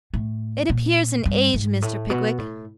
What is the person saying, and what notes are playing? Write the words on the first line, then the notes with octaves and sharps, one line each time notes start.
It appears an age, Mr. Pickwick.
A2
A#2
G2
G#2
A2
B2
A2